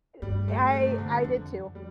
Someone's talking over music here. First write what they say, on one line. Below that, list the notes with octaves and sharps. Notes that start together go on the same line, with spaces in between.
Eh I I did too.
G2 G3
A3
A3
C3
D3
D3
F2
G3